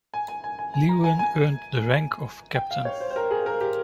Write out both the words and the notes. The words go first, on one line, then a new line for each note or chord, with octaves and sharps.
Lewin earned the rank of captain.
G#5
G#5
G#5
G#5
G#5
A#5
G#5
G#5
G5
F5
C#5
C5
C5
A#4
G#4
A#4
G4